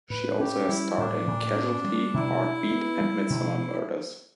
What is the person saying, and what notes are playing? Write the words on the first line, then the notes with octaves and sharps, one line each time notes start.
She has also starred in "Casualty", "Heartbeat" and "Midsomer Murders".
A2 B4
C#4 G4
G3 E4
A2 D4
A2
C#4
G3
B2 E4
D4
B3
G3
B2